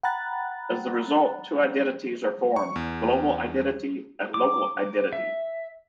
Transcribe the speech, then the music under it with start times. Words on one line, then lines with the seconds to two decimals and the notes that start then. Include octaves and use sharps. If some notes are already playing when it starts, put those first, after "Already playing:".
As a result, two identities are formed: global identity and local identity.
0.03 F#5 G5 A#5 B5 F#6 A6
2.56 C#6
2.76 E2
4.34 D6
5.13 E5